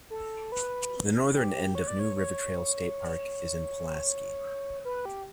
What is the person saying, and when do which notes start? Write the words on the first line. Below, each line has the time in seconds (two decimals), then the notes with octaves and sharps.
The northern end of New River Trail State Park is in Pulaski.
0.10 A4
0.52 B4
1.34 G4
1.75 C#5
1.88 D5
1.99 C#5
2.16 C#5
4.85 B4
5.05 G4